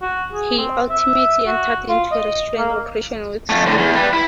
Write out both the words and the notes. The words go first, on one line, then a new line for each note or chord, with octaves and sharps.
He ultimately entered into a restaurant operation with Sandy.
F#4
G#4
C4
E5
F#4
F4
D#5
A#3
F2 A3
A2 D3
E2
G3 B4
E4